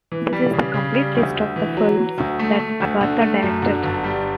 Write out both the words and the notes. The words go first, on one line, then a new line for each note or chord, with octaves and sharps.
This is the complete list of the films that Agata directed.
E3
G3
C#3
C#3
G3
D2
D2
E3
F#3
F#3
D2
A3
A3
D2
D3
A3
F#2
D3
G1
G3